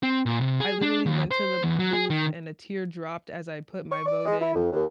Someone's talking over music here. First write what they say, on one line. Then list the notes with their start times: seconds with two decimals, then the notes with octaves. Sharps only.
I literally went to the booth and a tear dropped as I put my vote in,
0.03 C4
0.26 A#2
0.41 C3
0.60 G#4
0.82 D4
1.06 D#2
1.31 C5
1.63 E2
1.79 F#3
1.93 G#4
2.10 D#3
3.91 C#6
4.06 D5
4.25 G#3
4.40 E4
4.54 F2
4.72 D#2